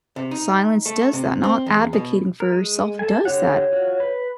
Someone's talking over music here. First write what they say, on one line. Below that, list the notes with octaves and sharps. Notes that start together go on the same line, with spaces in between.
Silence does that, not advocating for yourself does that.
C3
D#4
A3
C3
C4
E2
B2
A#4
G#3
A4 G#5 A5
D3 G4 C#5 F#5
F4 F#4
B4